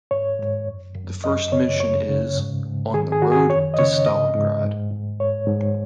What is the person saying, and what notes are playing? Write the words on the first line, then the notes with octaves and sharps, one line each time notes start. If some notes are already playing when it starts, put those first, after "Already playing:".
The first mission is On the Road to Stalingrad.
G#2 C#5
G#2
F#2
F#2
F#2 D#5
C#3 C#5
F#2 C#5
C#3
G#2
G#2
D#3 G#4
G#4
D#3 F#4
G#4
F#2 C#5
D#5
C#3 C#5
G#2 D#5
G#2
G#2
G#2
G#2 C#5
G#2